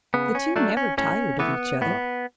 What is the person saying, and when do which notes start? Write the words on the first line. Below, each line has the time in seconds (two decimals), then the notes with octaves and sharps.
The two never tired of each other.
0.14 C#3 B3
0.35 C#4
0.56 F#3 A3 D4
0.77 C#4
0.98 A2 C#4
1.39 E3 A3 B3
1.81 A2 B3